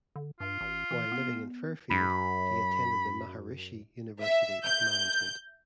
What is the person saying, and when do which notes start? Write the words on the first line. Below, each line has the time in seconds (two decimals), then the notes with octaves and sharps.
While living in Fairfield, he attended the Maharishi University of Management.
0.16 D3
0.40 G2 F4
0.61 A1
0.91 E3
1.12 B3
1.91 F#2 B5
4.20 E5
4.65 G6